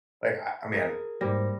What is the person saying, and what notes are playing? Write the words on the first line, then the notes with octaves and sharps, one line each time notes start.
like, I I mean,
G#4 A#4
G#2 G3 A#3 C5 A#6